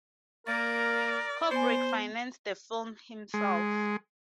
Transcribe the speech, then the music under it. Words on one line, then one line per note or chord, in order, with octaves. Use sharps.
Kubrick financed the film himself.
A#3 A#4 D5 A6
B3 C5 G#5
G#3